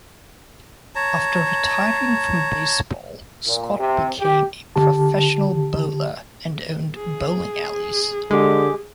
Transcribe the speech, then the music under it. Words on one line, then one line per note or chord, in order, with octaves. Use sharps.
After retiring from baseball, Scott became a professional bowler and owned bowling alleys.
C#5 A5 A#5
A#2
C3
G4
D3 G4 A5
G#4
D3 G#3 G4